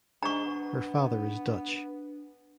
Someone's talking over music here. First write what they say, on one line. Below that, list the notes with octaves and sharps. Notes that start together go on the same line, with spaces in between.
Her father is Dutch.
G#2 D4 A#5 C#6
B3